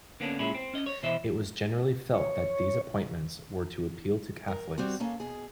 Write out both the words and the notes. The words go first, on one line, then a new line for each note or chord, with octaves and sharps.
It was generally felt that these appointments were to appeal to Catholics.
D3 A#3 B3 C#4 D4
A#2 G#3 C#4 E4
C4
C#4 D#5
C#5
B2 E3 C5 D#5 E5
C#5
A#4
G3 C4 F#4
A#3 C#4 A4 F5
B2 G#4